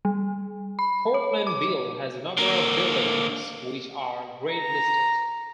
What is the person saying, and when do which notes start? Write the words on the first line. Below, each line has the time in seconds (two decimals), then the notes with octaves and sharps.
Portland Bill has a number of buildings which are Grade Listed.
0.05 G3
0.79 B5
1.14 C#5
1.47 D6
2.37 D3 A#3
4.51 A#5